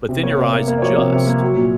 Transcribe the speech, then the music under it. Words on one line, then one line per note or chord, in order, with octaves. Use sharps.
but then your eyes adjust.
C3
A#3 C#5
C3
A#3
A#3
D5
F3 C#5
C3
C3
A#3
F#3
A#2